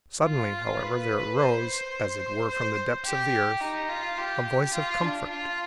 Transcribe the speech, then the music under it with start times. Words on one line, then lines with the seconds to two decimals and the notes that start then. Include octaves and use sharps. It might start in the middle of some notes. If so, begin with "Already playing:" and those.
Suddenly, however, there arose, as it were from the depths of the earth, a voice of comfort.
0.23 F4
0.80 B4
1.36 C5
2.48 C5
3.04 G4
3.61 D#4
3.89 F4
4.17 G4
4.73 F4
5.02 D4
5.30 F4